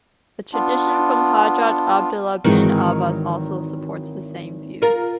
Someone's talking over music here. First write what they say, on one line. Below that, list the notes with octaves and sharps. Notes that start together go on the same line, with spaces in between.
A tradition from Hadrat 'Abdullah bin 'Abbas also supports the same view.
B3 D4 F4
G#1 D#3 E3 F#3 G#3
F4 A#4